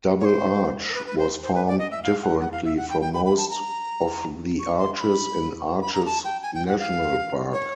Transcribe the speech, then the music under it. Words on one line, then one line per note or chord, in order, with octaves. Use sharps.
Double Arch was formed differently from most of the arches in Arches National Park.
C#5
C5
A#4
B4
B4
C5
C5
B4
D5
D#5
E5
F5
F#5
F#5
F5
E5
F#5
G5
G5
B5
B5
A5
A#5
C#6
C6
C6
B5
B5
A#5
A5
G5
G#5
G5
F#5
F5
C#5